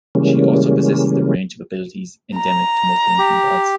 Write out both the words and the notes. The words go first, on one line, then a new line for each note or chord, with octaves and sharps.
She also possesses the range of abilities endemic to most Olympian gods.
C#3 E3 G3 G#3 A#3 C#4
A#5
G4